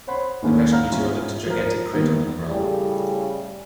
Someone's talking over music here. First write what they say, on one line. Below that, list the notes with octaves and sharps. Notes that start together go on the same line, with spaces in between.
The crashed meteor left a gigantic crater on the ground.
C5 C#5 F#5 B5 C6
D#2 G#2 A3 A#3 C#4 D4
F5 F#5 A#5 F6
G3 B3 C#4 E4 F4
F3 A#4
D#3 G3 A#3 B3 D#4 A#4
A2 C#3 G3